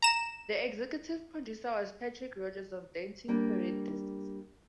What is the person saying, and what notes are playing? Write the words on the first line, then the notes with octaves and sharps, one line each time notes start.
The executive producer was Patrick Rodgers of Dancing Ferret Discs.
A#5 E7
G3 A#3 D4